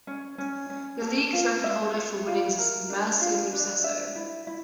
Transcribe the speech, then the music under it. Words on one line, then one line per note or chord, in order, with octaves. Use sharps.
The league's record holder for winnings is Mircea Lucescu.
C#4
C#4
C#4
A4
F4
E5
A4
F4
A#4
D4
F4
D4
E5
E4
E4